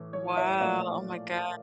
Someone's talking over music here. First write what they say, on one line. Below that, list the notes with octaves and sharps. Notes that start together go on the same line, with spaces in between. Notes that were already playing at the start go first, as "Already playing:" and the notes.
Wow, oh my gosh.
Already playing: A2 E3 A3
C#5
C#5 E5
A#2 F3 A3 D5 F5